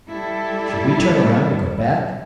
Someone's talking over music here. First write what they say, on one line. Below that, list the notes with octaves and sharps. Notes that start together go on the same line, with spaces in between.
Should we turn around and go back?
G3 E4 A4